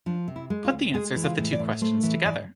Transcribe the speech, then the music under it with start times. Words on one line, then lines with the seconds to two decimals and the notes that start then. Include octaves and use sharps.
Put the answers of the two questions together.
0.06 F3 D4
0.28 C3
0.36 E4
0.50 G#3
0.65 F4
0.72 D2
0.94 G#3 G#4
1.16 E3
1.23 F4
1.38 A2
1.53 D5
1.59 A2
1.81 A3 C5
2.03 E3
2.25 G#2 D5